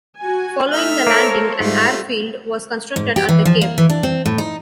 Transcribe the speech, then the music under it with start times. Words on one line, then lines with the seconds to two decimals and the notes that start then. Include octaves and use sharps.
Following the landing, an airfield was constructed at the cape.
0.18 F#4 G#5
0.72 A3 D#4 E5 F6
1.07 A#3 A4 A#4 C5 C#5
1.60 G#2 G3 A3 F4
2.96 G#2
3.16 G4
3.29 E3
3.45 F3
3.61 A#3
3.78 E3
3.90 D4
4.03 C4
4.26 A2
4.38 D#4